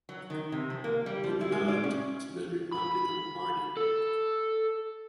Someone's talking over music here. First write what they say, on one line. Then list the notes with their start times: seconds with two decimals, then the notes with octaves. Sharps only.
He belonged to the Republican Party.
0.09 F#3
0.30 D#3
0.52 C3
0.70 F3
0.84 A#3
1.06 G3
1.24 F3
1.41 E4
1.52 G#3
1.68 D5
1.84 C#4
2.72 B5
3.77 A4